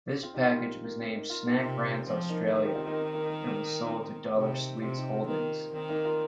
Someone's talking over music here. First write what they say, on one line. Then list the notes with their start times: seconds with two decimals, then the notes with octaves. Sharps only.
This package was named 'Snack Brands Australia' and was sold to Dollar Sweets Holdings.
0.23 C4 F4
0.34 D#4 G4
0.45 F4 A#4
0.57 C4 F4
0.69 C4
0.84 A#3
0.99 C4
1.15 A#3 D#4
1.30 F4 A#4
1.45 D#4 G4
1.60 C3 C4 F4
2.06 F3 C4
2.29 A#3 D#4
2.53 D#3
2.63 D#4 G4
2.75 C4 F4
2.86 A#3 D#4
2.99 C4
3.13 A#3 D#4
3.29 A#3
3.85 D#4
3.90 C4
4.36 C3 D#4 G4
4.82 C3 C4 F4
4.98 D#4 G4
5.12 C4 F4
5.28 D#3 A#3 D#4
5.74 D#3 C4
5.89 A#3 D#4
6.05 F4 A#4